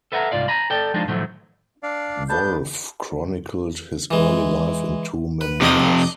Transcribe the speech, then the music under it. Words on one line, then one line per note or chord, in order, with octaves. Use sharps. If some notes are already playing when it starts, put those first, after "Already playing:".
Wolff chronicled his early life in two memoirs.
A4 B4 E5 F#5 G5 A#5
C2 G#2 F4 D5 F5
G#5 A#5 B5
A4 D5 G5
F3 G#3 D4 D#4 F4
A2 D#3 F3 F#3 A3
D4 D5 F5
B3 D4 A4 A5 G6
E3 G#3
B4
F2 C3 D4 D#5 D#6